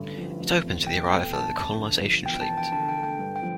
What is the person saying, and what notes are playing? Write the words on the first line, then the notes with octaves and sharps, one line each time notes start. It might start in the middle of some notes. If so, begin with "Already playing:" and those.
It opens with the arrival of the colonization fleet.
Already playing: A1 G2 D3
F3
F1
E2
B2 G5
A3 G5
G1 A5
F2
D3
F3
E1 G5
A5
E2
G5
D3 A5
G5
A3
G5
G2
G5
F3